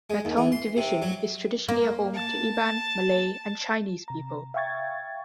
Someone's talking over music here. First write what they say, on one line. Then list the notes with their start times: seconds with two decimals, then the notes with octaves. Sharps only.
Betong division is traditionally a home to Iban, Malay and Chinese people.
0.10 G#3
0.25 D#2
0.37 E3
0.52 C6
0.77 C3
1.02 F#3
1.69 A#3
2.14 A5
4.08 C3 A#5
4.54 E5 F5 G5 C#6 G#6 A6